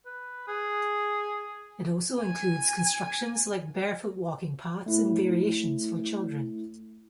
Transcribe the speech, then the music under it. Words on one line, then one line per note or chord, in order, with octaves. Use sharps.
It also includes constructions like barefoot walking paths and variations for children.
B4
G#4
G#5
A3 E4